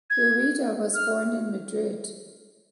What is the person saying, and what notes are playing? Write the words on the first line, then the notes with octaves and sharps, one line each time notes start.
Rueda was born in Madrid.
G#6
F6